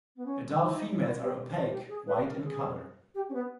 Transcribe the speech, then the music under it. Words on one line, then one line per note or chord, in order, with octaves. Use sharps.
Adult females are opaque white in colour.
B3
C#4
D#4
E4
D#4
E4
G4
G4
G#4
B4
A#4
G#4
G4
C#4
B3